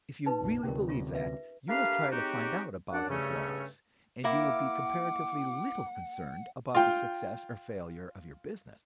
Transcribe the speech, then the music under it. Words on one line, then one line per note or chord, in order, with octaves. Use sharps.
If you really believe that, you will try to find out about his laws, and you will be comparatively little concerned about the success or failure of your business.
D#4 B4 A5
F1 A#1
D2 C3 C#4 G4 A#4
F4 C#6
B4 E5
A3 A#3 D4 G4 B4 F5
F#3 G#3 C4 D#4 F#4 G4
F#2 D4 D5 F#5
G2 C#3 A3 C#4
A#3 E4 A#4 F#5 D6
F4 G5